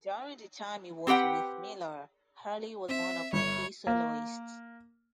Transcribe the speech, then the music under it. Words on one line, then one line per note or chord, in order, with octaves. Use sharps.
During the time he was with Miller, Hurley was one of the key soloists.
C4 G4 B4 F#5 G5
C4 E5
G1 C#5
A#3